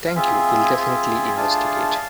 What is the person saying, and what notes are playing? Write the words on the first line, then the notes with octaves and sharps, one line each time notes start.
Thank you. Will definitely investigate.
F5
C4 F4 G#4 E5 G#5
C4 F4 G#4
G#5
A3 D4 F4 G#4 F5 A5